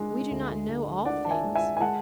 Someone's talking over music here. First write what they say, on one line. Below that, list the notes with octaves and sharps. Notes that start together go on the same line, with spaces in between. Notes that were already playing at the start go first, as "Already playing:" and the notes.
We do not know all things.
Already playing: G#3 D4
D2
D2
D4 D5 F#5
A5
E5 G#5
G#3
E5 G#5
G#5
G#3 F#5 A5